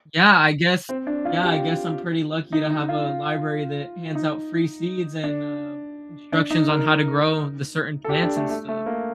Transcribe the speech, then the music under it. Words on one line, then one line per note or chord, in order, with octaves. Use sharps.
Yeah, I guess yeah, I guess I'm pretty lucky to have a library that hands out free seeds and, uh, instructions on how to grow the certain plants and stuff.
C4
D4
F4
G4
D#4
D#4
F4
D#4
D4
D4
D#4
A#4
A4
G4
D4
A3
A3
A3
A#3